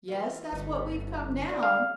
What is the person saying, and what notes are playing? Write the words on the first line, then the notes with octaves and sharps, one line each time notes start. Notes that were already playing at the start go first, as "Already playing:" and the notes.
"Yes; that's what we've come down."
E3 F4
G1 E3 A3
D3 D4
F5